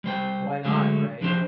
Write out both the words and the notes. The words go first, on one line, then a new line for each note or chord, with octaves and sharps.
Why not, right?
G3 C5 G5
D3 F#3 G#3 A3
F3 D4 G4 C5